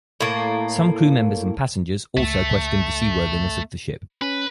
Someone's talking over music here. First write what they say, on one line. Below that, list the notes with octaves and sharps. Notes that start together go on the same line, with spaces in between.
Some crew members and passengers also questioned the seaworthiness of the ship.
A2 A#3
C#2 A3
C#4 B4